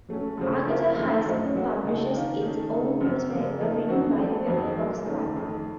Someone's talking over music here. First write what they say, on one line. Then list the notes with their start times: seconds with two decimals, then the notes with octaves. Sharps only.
Arcata High School publishes its own newspaper written by the Pepper Box Club.
0.08 F#3 A3 C#4
0.37 F#2 C#3 F3 A3 C4
0.67 F3 A#3 F4 A#4
0.96 F#2 D#3 A3
1.25 A2 F#3 C4 D#4
1.54 F#3 A#3 C#4 F#4
1.83 C#3 A3 D#4
2.13 D#3 A#3 F4 A#4
2.42 D#3 A3 C#4
2.72 C#3 A3 D#4 A4
3.01 F#2 F3 C4
3.30 F#2 C#3 F3 A#3
3.59 F3 A3 D#4 A#4
3.89 F2 D#3 F#3 C4 F#4
4.18 F3 A3 C4
4.46 F2 D#3 F#3 C4
4.76 A#2 F#3 A#3
5.06 D#3 A3 C#4
5.35 F2 D#3 A3